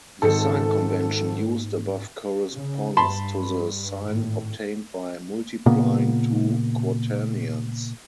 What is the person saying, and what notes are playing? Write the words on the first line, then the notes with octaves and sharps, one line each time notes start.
The sign convention used above corresponds to the signs obtained by multiplying two quaternions.
G#1 G#2 A4 C#7
C#3
G2 A5 B5 C6
G#1 A2
A#2 C#3 A#3 B3